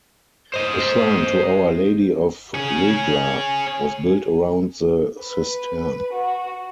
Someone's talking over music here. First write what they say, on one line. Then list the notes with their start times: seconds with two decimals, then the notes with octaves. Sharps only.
A Shrine to Our Lady of Regla was built around the cistern.
0.54 C5 D#5
2.54 C#4 G#4
5.20 B4
6.14 F#4